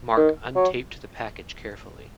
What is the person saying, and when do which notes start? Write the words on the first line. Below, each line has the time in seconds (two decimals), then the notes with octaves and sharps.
Mark untaped the package carefully.
0.17 D#3
0.55 F#3